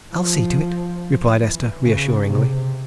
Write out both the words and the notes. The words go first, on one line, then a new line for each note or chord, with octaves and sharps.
"I'll see to it," replied Esther reassuringly.
F3
E3
C#3
C3